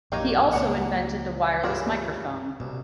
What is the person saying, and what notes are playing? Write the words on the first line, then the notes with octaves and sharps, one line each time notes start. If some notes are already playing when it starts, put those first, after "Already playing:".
He also invented the wireless microphone.
A#1 F#2 D#3 A#3 D#4 G4 C#5
C#2 A#3 D4 C#5 F#5
G2 C#3 E3 F4 A#4 D5
C2 B2